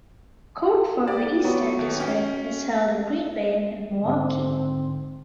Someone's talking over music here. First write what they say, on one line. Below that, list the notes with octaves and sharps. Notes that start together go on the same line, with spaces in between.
Court for the Eastern District is held at Green Bay and Milwaukee.
G4 D5
F#3 B3
D#2
C#4 G5
G#2 D3 C4